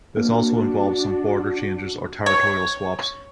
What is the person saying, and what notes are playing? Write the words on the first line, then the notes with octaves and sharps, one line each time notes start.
This also involved some border changes or territorial swaps.
A#3 D4 F#4
C#5